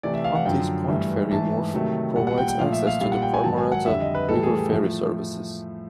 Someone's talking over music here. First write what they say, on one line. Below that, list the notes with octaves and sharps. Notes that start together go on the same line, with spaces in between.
Huntleys Point ferry wharf provides access to the Parramatta River ferry services.
C3 E3 A3 D5
E5
F5
F#5
F#2 D3 F3 G5
G2 E3 A3
G#2 E3 A3 A5
C3 D#3 F#3 A3
A#2 G3 F#5
F#5
G5
G5
A#2 F3 A3 F5
E5
F5
A#2 G3 F5
F#5
G5
G#5
G#2 D#3 F#3 A5
G#5
F#5
F2 D3 G3 E5
D#5
B4
A2 E3 G3 A4
G#4
G4
A2 F3 A3